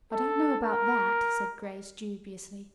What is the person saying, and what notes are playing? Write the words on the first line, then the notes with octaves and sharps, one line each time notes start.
"I don't know about that," said Grace dubiously.
A4
A#4